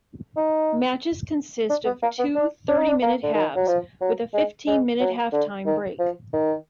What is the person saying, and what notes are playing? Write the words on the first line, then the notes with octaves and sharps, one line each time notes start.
Matches consist of two thirty-minute halves, with a fifteen-minute half-time break.
D#4
D4
B3
A#3
B3
D4
D4
D#4
D4
A#3
D3
D#3
F#3
F3
F#3
G#3
G#3
F#3
D3
D#3
F3
D#3